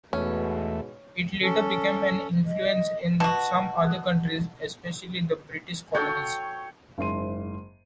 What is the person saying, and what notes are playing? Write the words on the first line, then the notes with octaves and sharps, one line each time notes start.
It later became an influence in some other countries, especially the British colonies.
E2 G#2 B2 A3 C#4
C#4 A4
D#5
B2 F#4 A5
F#4 A4 C#5 G5
F#1 G#2 C6 D#7